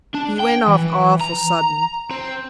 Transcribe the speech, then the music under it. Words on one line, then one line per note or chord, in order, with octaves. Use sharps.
He went off awful sudden.
D4
G5
E3
A#5
C4